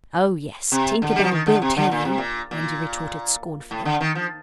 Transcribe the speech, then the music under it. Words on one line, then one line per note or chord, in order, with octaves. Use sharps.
'Oh yes, Tinker Bell will tell you,' Wendy retorted scornfully.
C3
D3
G3
F3
D#3
D3
C3
D3
A#2
C3
A#2
A#2
A2
D3
D#3
F3